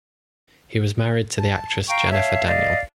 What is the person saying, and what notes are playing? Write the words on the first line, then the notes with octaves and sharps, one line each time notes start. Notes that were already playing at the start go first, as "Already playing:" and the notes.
He was married to the actress Jennifer Daniel.
A5
F5 G5 A#5 C#6
C#5 E5 F5 A5
D5 D#5 F5